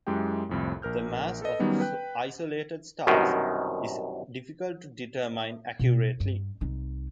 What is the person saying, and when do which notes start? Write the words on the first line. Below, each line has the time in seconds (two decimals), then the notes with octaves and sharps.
The mass of isolated stars is difficult to determine accurately.
0.07 F#2 G#3 E4 G4 G5
0.49 C2 F2 A2
0.82 A#1 A#4 F6 G6
1.42 A4 B4 D#5
1.59 D#3 F#3 G3 B3 C#4 D#4
1.80 B4 G5 F#6
3.07 C2 F#2 B2 D#3
5.79 B2
6.20 G2
6.61 C2 D#4